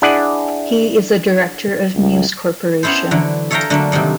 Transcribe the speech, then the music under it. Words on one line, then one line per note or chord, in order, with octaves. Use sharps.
He is a director of News Corporation.
D4 E4 G#4 D5 F#5
C#2
B3 C#4 E4 A4 C5
D3 E3 F#3
A4 C#5 E5 F5 G5 A#5
D3 F#3 A3 A#3
C3 D#3 F#3 G3